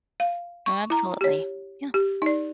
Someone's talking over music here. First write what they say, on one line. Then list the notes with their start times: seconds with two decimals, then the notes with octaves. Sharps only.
Oh, absolutely. Yeah.
0.20 F5
0.66 C#6
0.90 E4 A#5
1.21 G4 C#5
1.94 G4
2.22 D#4 D5